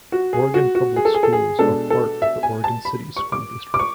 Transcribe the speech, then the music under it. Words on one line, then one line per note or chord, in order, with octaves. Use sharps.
Oregon Public Schools are part of the Oregon City School District.
F#4
G#4
F#4
F#4
G#4
A4
G#4
A4
G#4
B2 G#3 D4 A4
A4
E5
G#5
A5
B5
C#6
D6
D6
C#6